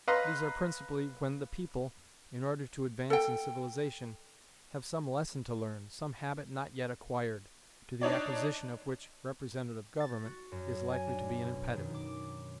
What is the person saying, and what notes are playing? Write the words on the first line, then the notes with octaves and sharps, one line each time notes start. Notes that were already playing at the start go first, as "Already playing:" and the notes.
These are principally when the people, in order to advance in civilization, have some lesson to learn, some habit not yet acquired, to the acquisition of which representative government is likely to be an impediment.
B4 D#5 F5 A#5 C6
A4 G5
D4 D#4 C#5 D5
A6
F#4
F#2
G#5
D4
B2
D#3
D6